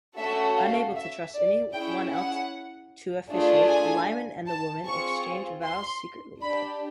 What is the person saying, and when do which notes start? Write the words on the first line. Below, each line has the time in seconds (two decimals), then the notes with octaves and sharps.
Unable to trust anyone else to officiate, Lyman and the woman exchanged vows secretly.
0.17 A3 C#4 F#4 A4 E5
0.57 F5
0.95 E5
1.34 D5
1.73 C#4 E4 G#4 G5
2.13 F#5
3.30 A3 D4 F4 G#4
3.68 G#5
4.46 A5
4.85 C4 F4 G#4 C#6
5.63 C6
6.41 D4 G4 B5